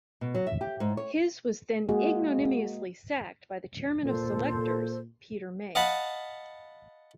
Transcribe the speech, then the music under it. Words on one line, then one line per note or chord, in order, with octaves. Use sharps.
His was then ignominiously sacked by the chairman of selectors, Peter May.
B2
F#3
E5
G4
G#2
C#5
G#3 A#3 F#4 G#4
A#2 A4 C5
D#5 F5 F#5 A5 B5